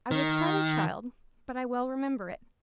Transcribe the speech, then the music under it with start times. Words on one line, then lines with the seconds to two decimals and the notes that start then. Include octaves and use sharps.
I was quite a child, but I well remember it.
0.11 D#3